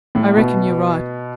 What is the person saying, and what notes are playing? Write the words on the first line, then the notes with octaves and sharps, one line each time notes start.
I reckon yo're right.
A2
B2